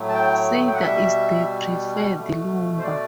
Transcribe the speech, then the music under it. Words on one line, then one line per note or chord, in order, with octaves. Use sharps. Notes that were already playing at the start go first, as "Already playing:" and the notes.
Cedar is the preferred lumber.
Already playing: A2 F#3 A3
A5
G5
G5
F#5
B2 G3 E5
B2 A3
C5
D5